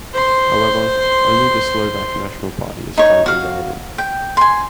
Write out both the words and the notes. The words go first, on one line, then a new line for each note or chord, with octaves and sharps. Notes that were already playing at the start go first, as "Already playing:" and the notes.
However, only the Slovak National Party is currently relevant.
C5 C6
D#4 C#5
F#4 F5
G5
G#5 C6